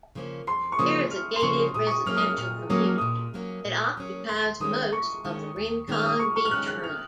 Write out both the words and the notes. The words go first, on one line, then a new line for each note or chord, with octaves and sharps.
There is a gated residential community that occupies most of the Rincon beachfront.
C#3 F3 A#3 C#4
F2 C6
C#6
C#3 F3 A#3 C#4 D#6
F2 F6
C6
C#3 F3 A#3 C#4 C#6
A#2 D#6
C#6
D#6
F#3 A#3 C#4 F6
D#6
F6
A#2 F6
F#3 A#3 C#4 D#6
F6
A#2 D#6
F#3 A#3 C#4
A#2
F#3 A#3 C#4
D#2 C6
D#3 G#3 C#4 D#6
D#2 C#6
D#3 G#3 C#4
D#2
D#3 G#3 C#4 F6
D#6
D#2 C#6
C#6
F6
D#3 G#3 C#4 F#6
F#6
C3 F6